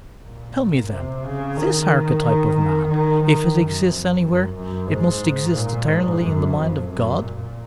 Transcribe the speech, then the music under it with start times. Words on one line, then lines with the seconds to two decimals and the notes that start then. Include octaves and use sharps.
'Tell me, then--This archetype of man, if it exists anywhere, it must exist eternally in the mind of God?
0.25 A#2
0.90 C3
1.24 C#3
1.58 D#3
2.24 D#3
2.57 D#3
2.89 D#3
3.23 D#3
3.55 F#2
3.89 F2
4.23 F#2
4.55 F#2
4.88 G#2
5.56 A#2
5.88 G#2
6.21 F#2
6.55 F2
6.88 F#2
7.20 A#2